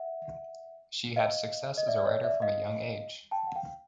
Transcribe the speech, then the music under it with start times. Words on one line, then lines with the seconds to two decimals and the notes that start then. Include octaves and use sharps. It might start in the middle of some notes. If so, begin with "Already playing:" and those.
She had success as a writer from a young age.
Already playing: E5 F#5
1.16 D#5 F5
1.78 D#5
1.88 D5 E5
1.99 D5
2.06 C#5 D#5
2.24 D5 E5
2.42 D#5 F5
3.31 G5 A5
3.47 F#5
3.55 F5 G5